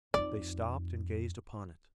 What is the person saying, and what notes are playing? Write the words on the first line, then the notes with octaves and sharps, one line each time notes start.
They stopped and gazed upon it.
F2 D#4 D5